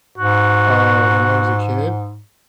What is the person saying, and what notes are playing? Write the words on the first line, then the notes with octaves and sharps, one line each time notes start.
uh, when I was a kid,
G#2 F#4